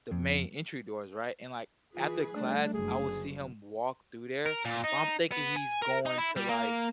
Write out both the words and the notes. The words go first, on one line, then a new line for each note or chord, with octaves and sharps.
the main entry doors, right? And, like, after class, I would see him walk through there, but I'm thinking he's going to, like,
F2
E3 F4 G#4 B4
G3 A3 D4
F#1 D3 G#4
A#4
A#2
D#4
B3
G#5
A#4
D#4
E4
G3
A#3